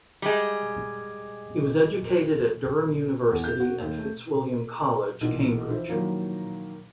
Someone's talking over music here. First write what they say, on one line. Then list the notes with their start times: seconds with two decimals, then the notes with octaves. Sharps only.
He was educated at Durham University and Fitzwilliam College, Cambridge.
0.22 G3 G#3
3.31 E2
3.44 G6
3.60 F#4
3.81 D#2
3.98 A3
5.21 B1 A#2 E3
5.70 E3 F3 E4 C5
5.88 D#3 F3 F#3 A#3 E4